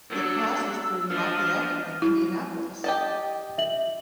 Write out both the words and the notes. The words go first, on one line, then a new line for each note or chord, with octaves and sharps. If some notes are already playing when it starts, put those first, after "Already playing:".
It passes through Lafayette and Indianapolis.
F#3 D4 A4 E6
F3 D4 D#5 F6
E4
G4 D#5 A5
E5 F#7